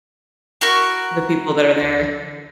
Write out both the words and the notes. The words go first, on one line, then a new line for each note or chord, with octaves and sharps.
The people that are there.
E4 F#4 A#4 C#6